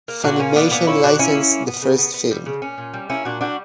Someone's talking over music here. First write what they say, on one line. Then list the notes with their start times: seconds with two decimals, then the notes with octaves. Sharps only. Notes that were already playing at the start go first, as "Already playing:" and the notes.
Funimation licensed the first film.
0.08 A#3
0.23 A#2 D4 F#4
0.39 A#3 C#4
0.56 A#3 B3 D4
0.71 A#2 B3 D4
0.87 A#3 C#4 E4
1.03 A#2 D4 F#4
1.19 A#3 C#4 E4
1.35 A#3
1.51 A#3
1.67 B3
1.82 C#3
1.98 B3
2.14 B3
2.31 G3
2.46 C#3
2.62 A#2 C#4
2.78 A#2
2.94 G3
3.09 A#3 C#4 E4
3.25 A#2 D4 F#4
3.41 G3 D4 F#4